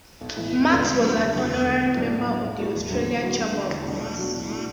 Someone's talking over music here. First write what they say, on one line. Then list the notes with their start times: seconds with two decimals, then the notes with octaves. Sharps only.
Max was an honorary member of the Australian Chamber of Commerce.
0.21 B1
0.37 A2 E3 B3
0.53 E1
0.68 D2 D3 B3 D4
0.84 D2
1.00 D3 F#3
1.16 F#1
1.32 E2 D3 F#3
1.47 E1
1.63 D2 D3
1.79 A1
1.95 A2 F#3 D4
2.11 A2
2.27 F#3 B3 D4
2.42 B1
2.58 A2 A3 F#4
2.74 E1
2.90 D2 D3 F#3
3.06 E2
3.21 D3 F#3 B3 F#4
3.37 D2
3.54 D3 B3 D4
3.69 E2
3.85 B2 A3 D4
4.01 B1
4.17 B2 F#3 D4 F#4
4.32 A1
4.49 A2 A3 D4 F#4